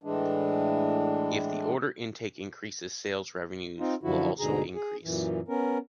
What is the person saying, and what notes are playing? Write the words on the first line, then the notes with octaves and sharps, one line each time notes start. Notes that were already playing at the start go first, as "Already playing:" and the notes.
If the order intake increases, sales revenues will also increase.
A2 E3 G#3 D4
C4 D#4 F4
F#2 D3 F3 E4 F#4
D2 G#2 B2 D3 G#4 A#5
G#4
F#2 A#2 E3
B3 C#4 A#4